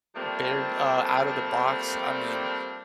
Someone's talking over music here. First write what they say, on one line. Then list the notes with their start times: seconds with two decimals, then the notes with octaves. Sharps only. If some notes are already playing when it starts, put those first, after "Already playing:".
B Bear, uh, Out of the Box. I mean,
0.15 F3 G3 A3 A#3 C4 D4